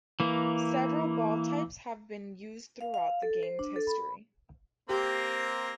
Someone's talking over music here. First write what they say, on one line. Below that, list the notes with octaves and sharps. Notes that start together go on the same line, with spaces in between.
Several ball types have been used throughout the game's history.
E3 A#3
F5
F5
A4
C5
D4
A4
B5
A#3 C4 G4 C5